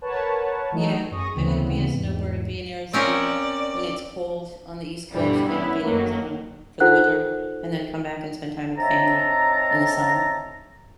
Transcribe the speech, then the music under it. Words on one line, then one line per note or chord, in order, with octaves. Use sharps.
Yeah, I'm gonna be a snowbird and be in Arizona when it's cold on the East Coast, and I'll be in Arizona for the winter, and then come back and spend time with family in the summer.
A#4 B4 C#5 F#5 A5
E3 F#3 A3 D#4
F#2 G#4 C#6 D#6 A#6
D2 C#3 E3 B3 C4
E2 G#2
C4 C#4 A#4 D5
G2 B2 D3 E3 G3
B3 C#4 E4 B4
F#2 F#3 A3 A#3
D#4 F4 A4 C5 F#5 F#6
C4 D#4 C#5 E5 A5 A#5